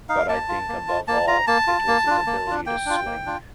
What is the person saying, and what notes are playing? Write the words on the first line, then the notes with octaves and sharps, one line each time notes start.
But I think above all it was his ability to swing.
D#4 F5
A#3 A5
F4
A#3
F4
A#3 A5
F4 A#5
A#3 A5
F4
A#3
D4 F4
A#3
D4 F4
A#3 G5
D4 F4
A#3
D4 F4